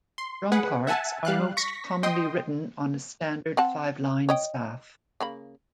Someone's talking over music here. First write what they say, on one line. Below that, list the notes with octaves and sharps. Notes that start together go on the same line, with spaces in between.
Drum parts are most commonly written on a standard five-line staff.
C6
G#4 B4 F#5
E5 F#5 G#5 A5
G3 F5 F#6
C#6 A#6 B6
D#5 G5 C6 D#6
C4 F#5 A5
C#5 D#5 G5
C#3 A#3 B5